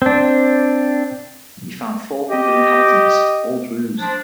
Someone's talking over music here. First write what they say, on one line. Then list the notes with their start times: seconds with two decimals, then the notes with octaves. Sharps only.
He found four hundred inhabitants, all Druze.
0.02 C4 D4
2.29 G4 D#5
3.98 F3 D4